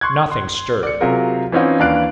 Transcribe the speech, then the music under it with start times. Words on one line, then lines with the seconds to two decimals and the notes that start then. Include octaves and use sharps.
Nothing stirred.
0.01 C6 C#6 F#6 G#6
0.32 C6
0.83 D5 C#7
1.01 C3 F#3 F4 G#4 A#4
1.52 E3 C4 C#4 D#4 F4
1.79 D#2 E3 D4 F5 F#6 D7